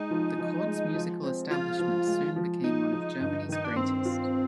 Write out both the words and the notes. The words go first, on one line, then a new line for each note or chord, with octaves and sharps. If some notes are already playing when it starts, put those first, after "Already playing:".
The court's musical establishment soon became one of Germany's greatest.
Already playing: G#3 D#4
F3
F3
G#3
F3
C4
F3 F4
F3
G#3
F3
F3 D#4
F3
G2
D#3 D#4
D4
G2 C4
F4